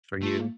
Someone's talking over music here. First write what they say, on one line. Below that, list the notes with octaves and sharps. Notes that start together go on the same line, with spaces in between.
for you.
A3 F4